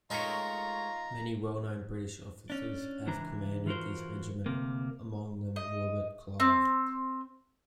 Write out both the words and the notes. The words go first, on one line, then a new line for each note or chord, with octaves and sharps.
Many well-known British officers have commanded this regiment, among them Robert Clive.
G#3 A3 D#4 F4 A#4 C#5 A#5
C#4 D4
C#2 E3 D4 A#5
E3 F4 F#4 A#4 C5
D2 C3 A#3
D#5
C4